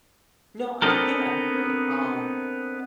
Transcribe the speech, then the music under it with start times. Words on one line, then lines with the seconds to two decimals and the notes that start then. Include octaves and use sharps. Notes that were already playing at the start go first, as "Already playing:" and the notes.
No, I yeah, I agree. Um
0.82 B3 C4 D4 D#4 A4 A#4